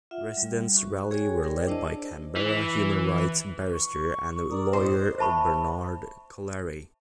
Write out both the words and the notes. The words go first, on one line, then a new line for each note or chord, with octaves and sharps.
Residents Rally were led by Canberra human rights barrister and lawyer, Bernard Collaery.
F4 E5 F#5
G3
F#4 C#6
G#4 C#5 G5 G#5
A#4 D5 G5
D4 E4 C5 D5 D#5 A5
E3
C#6
A#4 D5 D#6
F2 A2 C5
C5 E5 A5 B5 C#6